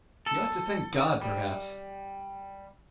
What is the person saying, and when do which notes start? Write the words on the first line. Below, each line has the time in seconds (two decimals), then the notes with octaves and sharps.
You ought to thank God, perhaps.
0.26 A4
1.21 G3